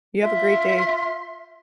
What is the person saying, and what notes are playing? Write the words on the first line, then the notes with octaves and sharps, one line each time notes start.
You have a great day.
F4 E5 C6